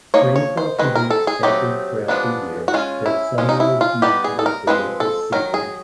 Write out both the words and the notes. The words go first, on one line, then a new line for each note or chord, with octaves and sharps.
Rainfall can be expected throughout the year though summer is usually the wettest season.
F3 A#3 D#4 C#5
C#5
C5
D#3 G#3 C4 B4
A#4
A4
G#4
F#3 A3 C4 D#4 G4
F3 G#3 B3 D4
F#4
G#3 C#4 F4
E4
F3 G#3 C#4
D#4
E4
F4
G3 B3 D#4 G4
G#4
A4
A#4
F3 G#3 C4 B4
A4
D#3 F#3 A#4
G#4